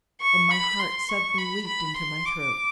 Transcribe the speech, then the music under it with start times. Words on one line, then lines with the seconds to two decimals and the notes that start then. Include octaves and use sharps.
And my heart suddenly leaped into my throat.
0.21 C#6
0.50 B5
0.79 C6
1.09 C#6
1.38 B5
1.67 B5
1.97 C6
2.26 D6